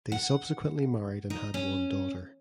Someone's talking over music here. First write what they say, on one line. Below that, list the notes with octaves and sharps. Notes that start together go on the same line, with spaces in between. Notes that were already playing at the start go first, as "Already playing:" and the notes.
They subsequently married and had one daughter.
F#5
D#4
C#4